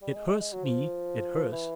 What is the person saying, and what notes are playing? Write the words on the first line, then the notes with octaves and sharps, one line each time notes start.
It hurts me, it hurts.
G3
G#3
G#3
G#3
F#3
F3
E3